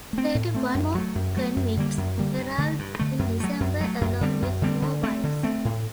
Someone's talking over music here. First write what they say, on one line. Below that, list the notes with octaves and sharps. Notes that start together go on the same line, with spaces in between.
Thirty-one more convicts arrived in December, along with more wives.
A3 C4
A2
A3 C4
F#2
F#3 A3
F#2
F#3 A3
F#2
D3 G3 A#3
F#2
D3 G3 A#3
G2
D3 A3
G2
D3 A3
F#2
F#3 A3
F#2
F#3 A3
F#2
D3 G3 C4
F#2
D3 G3 C4
D3
A3 C4
D3
A3 C4
A2